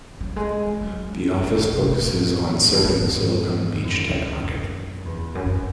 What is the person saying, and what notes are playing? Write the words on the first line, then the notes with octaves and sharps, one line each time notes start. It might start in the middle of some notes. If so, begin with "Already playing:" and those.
The office focuses on serving the Silicon Beach tech market.
F#3
G#3
G#3
F#3
E3
D#3
C3
A2
A2
G#2
A2
G#2
F#2
F#2
E2
F#2
F#2